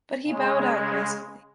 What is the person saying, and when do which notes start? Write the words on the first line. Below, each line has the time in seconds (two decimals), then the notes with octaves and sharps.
But he bowed out gracefully.
0.24 C#3 G#3